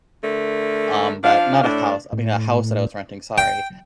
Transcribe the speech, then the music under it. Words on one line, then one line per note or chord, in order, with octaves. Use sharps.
um, that not a house, I mean a house that I was renting, sorry,
D3 A3 A#4
F3 D4 F5
A2 D4
A2
G5